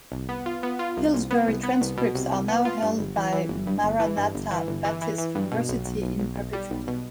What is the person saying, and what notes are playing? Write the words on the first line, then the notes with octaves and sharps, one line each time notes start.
Pillsbury's transcripts are now held by Maranatha Baptist University in perpetuity.
C2
B3
F4
B3
F4
C2
C2
B3
C2
B3
C2
B2
C2
C2
B3
F4
G2
G1
E3
E3
G1
G2
G1
E3
G2
G1
E3
G1
E3
E3
E3
G2
B2
B1
B1
B1
B1
B1
G3
B1
B2